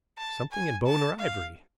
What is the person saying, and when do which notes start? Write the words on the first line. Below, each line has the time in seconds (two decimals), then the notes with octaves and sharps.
"Something in bone or ivory."
0.18 A5
0.52 G#5
0.86 A5
1.19 F5